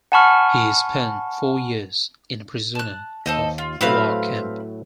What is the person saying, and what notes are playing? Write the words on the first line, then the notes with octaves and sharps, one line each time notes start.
He spent four years in a prisoner of war camp.
F#5 G#5 A5 B5 C#6 F6
A5 F#6
D#2 A4 C5 D#5
F4
A2 F#3 A3 C4 B4 F5